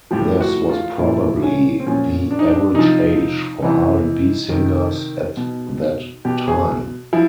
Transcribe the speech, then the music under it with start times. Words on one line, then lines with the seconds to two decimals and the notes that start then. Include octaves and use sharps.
This was probably the average age for R and B singers at that time.
0.11 A2 F3 G4
0.41 F#4
0.70 F4
0.99 A#2 F3 E4
1.42 C#4
1.80 C4
1.87 A#2 F3 C#4
2.31 D4
2.39 D#4
2.47 D4
2.74 C3 F3 D#4
3.62 C3 E3
4.50 C3 D#3
5.37 B2
6.25 B2 G4
6.48 G#4
7.13 F3 E4